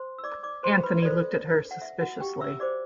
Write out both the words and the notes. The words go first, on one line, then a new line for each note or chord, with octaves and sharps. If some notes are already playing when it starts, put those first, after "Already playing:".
Anthony looked at her suspiciously.
Already playing: C5 C6
E6
D5 D6
D5 D6
C5 C6
B4 B5
F#4 A4 C5 D5
F#5
E5
F#4 F#5
G4 G5
E5 E6
F#4 C5 D5 D6